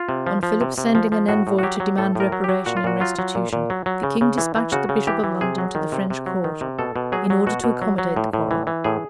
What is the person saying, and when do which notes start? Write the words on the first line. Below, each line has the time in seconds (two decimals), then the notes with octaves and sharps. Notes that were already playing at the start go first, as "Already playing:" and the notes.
On Philip's sending an envoy to demand reparation and restitution, the king despatched the bishop of London to the French court, in order to accommodate the quarrel.
Already playing: F4
0.09 C3
0.27 F3
0.43 F3
0.61 C3
0.78 C3
0.95 F3
1.12 F3
1.29 A2 F#4
1.47 A2
1.59 F#4
1.63 F#3 G4
1.80 F#3
1.98 A2 A4
2.15 A2 A#4
2.32 F#3
2.44 F#3 G4
2.66 A#2 F#4
2.77 F4
2.84 A#2 F#4
3.00 F#3 F4
3.19 F#3
3.35 A#2
3.53 A#2
3.70 F#3
3.86 F#3
4.03 C#3
4.21 C#3
4.38 E3
4.56 E3
4.72 C#3 F#4
4.89 C#3
5.07 E3 G4
5.24 E3
5.41 C3 G#4
5.58 F#3
5.75 D#3
5.92 C3
6.10 C3
6.26 F#3
6.44 D#3
6.61 C3
6.79 B2 A4
6.96 B2
7.12 F#3 G#4
7.30 F#3
7.47 B2 F#4
7.64 B2
7.82 F#3
7.98 F#3
8.16 A2
8.33 A2
8.51 E3
8.67 E3
8.84 A2 G#4